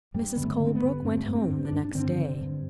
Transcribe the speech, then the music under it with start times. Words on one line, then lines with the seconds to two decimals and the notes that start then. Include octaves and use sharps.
Mrs. Colebrook went home the next day.
0.14 G2 G3
0.36 D3 B3
0.45 A3
0.60 D3
0.66 C4
0.75 B3
0.83 G2
1.05 G2 C4
1.17 A3
1.26 G2 B3
1.35 C4
1.50 G2
1.65 D4
1.72 G2
1.85 D4
1.95 D3 C4
2.18 D3
2.41 G2